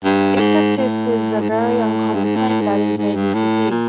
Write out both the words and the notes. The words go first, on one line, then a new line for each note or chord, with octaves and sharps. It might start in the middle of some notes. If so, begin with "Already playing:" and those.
Isatis is a very uncommon plant that is made into tea.
G2
G2
G#2
A2
G#2
A2
G2
G#2
A2
A2
G#2
G#2
G2
A2
A#2